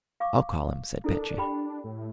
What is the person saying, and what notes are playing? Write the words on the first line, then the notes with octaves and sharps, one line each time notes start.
"I'll call him," said Petya.
F5 C#6 D6
D4 E4 A4 A#4
G4 G5 B5
A2